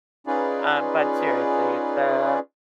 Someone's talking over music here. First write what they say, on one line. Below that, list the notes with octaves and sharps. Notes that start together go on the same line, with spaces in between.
uh, but seriously, it's, uh,
C#4 D#4 F4 G#4 B4 D5